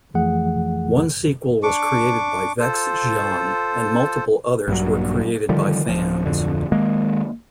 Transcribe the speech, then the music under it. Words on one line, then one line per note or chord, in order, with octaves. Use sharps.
One sequel was created by Vex Xiang, and multiple others were created by fans.
F2 E3 F3 A3 G#4 F#5
D4 C#6 D6
F4 A4 C5
A#1 G2 A#2 F#3
D3 D#3 F3 G3
D1 F3
D1 F2 D3
D#3 G#3 A#3